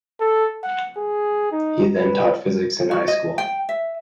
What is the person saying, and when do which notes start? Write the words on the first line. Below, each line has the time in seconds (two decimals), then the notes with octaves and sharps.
He then taught physics in high school.
0.20 A4
0.63 F#5
0.97 G#4
1.52 D#4
1.96 B4
2.91 F#4
3.08 D#5
3.38 G5
3.69 E5